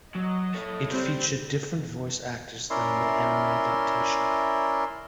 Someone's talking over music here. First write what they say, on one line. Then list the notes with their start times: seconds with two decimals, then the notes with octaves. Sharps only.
It featured different voice actors than the anime adaptation.
0.15 F#3 D#5
0.54 A4 C#5
0.89 G3 C4
2.70 C#4 E4 A#4 D5 E5 C6